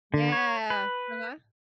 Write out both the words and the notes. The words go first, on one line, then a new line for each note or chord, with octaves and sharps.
Yeah. Uh-huh.
D3
C#5
B4